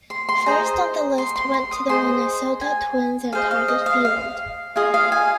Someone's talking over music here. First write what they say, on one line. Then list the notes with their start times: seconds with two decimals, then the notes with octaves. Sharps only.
First on the list went to the Minnesota Twins and Target Field.
0.10 C6
0.29 C6
0.46 G#4 C5 D#5 A#5
1.18 C6
1.36 C6
1.54 C6
1.71 D#6
1.89 G#4 C5 D#5 C6
2.61 G#5
3.33 G#4 C5 D#5 F5
3.51 F5
3.68 D#5
3.86 F5
4.05 F5
4.76 F4 G#4 D#5 F5
4.94 F5
5.12 G#5